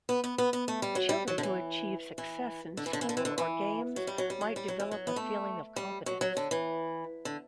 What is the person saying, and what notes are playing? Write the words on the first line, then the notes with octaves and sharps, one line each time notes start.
Children who achieve success in school or games might develop a feeling of competence.
B3
B3
B3
B3
A3
G3
F#3
G3
F#3
D3
E3
E3
D3
E3
D3
E3
D3
E3
D3
E3
F#3
G3
F#3
G3
F#3
G3
F#3
E3
F#3
B3
A3
G3
F#3
F#3
D3
E3
D3